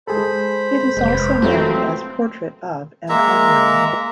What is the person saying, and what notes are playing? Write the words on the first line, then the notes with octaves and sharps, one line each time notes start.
It is also known as Portrait of an Unknown Woman.
G#3 G#4 A4 C5 B5
F1 G#3 B4
F3 F#3 A3 C4
G#3 A#3 E5 A#5